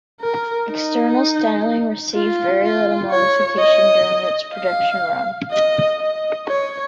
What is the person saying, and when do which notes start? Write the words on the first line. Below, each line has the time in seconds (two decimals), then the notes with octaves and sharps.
External styling received very little modification during its production run.
0.21 A#4
0.70 D#4
2.14 F4
2.62 F4
3.10 C#5
3.59 D#5
4.54 F5
5.51 D#5
6.00 D#5
6.47 C#5